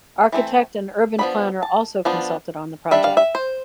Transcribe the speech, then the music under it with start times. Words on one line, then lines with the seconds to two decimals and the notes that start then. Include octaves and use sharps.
Architect and urban planner also consulted on the project.
0.32 E3 A3 C4
1.19 F3 B3 D4 B5
1.63 A5
2.05 F3 B3 D4
2.91 G3 D4 E5
3.04 F5
3.17 E5
3.35 C5